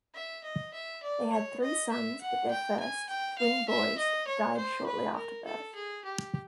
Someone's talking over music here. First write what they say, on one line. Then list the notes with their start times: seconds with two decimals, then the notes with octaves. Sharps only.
They had three sons but their first, twin boys, died shortly after birth.
0.15 E5
0.44 D#5
0.73 E5
1.03 D5
1.32 C#5
1.62 D#5
1.91 E5
2.21 F#5
2.51 G5
2.80 G#5
3.09 G5
3.39 F5
3.69 E5
3.98 D#5
4.27 C#5
4.57 C5
4.86 B4
5.16 A#4
5.45 A4
5.75 G#4
6.05 G4